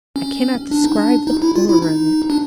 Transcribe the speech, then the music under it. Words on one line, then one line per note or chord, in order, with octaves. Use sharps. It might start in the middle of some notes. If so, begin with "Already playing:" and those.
I cannot describe the horror of it.
C#4
D4
D#4
D4
D#4
E4
F4
E4
D#4
D4